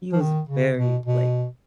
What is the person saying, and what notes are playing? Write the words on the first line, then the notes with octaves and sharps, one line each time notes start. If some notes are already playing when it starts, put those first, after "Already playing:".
he was very, like,
F3
D#3
C#3
B2
B2